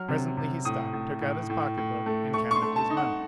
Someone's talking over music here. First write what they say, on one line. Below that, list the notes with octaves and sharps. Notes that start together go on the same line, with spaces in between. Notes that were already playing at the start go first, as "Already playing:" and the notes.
Presently he stopped, took out his pocket book and counted his money.
Already playing: F#3 F6
C3
C3
A2 D#6
A2
A2
A2
A2
A3
A3 C#6
C#6
C6
A3
A5
D#4
F#5